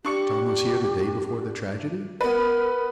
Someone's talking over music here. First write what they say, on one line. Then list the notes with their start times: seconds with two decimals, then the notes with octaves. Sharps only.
"Tom was here the day before the tragedy?"
0.05 D4 G4 C#6 C#7
2.21 B3 A#4 B4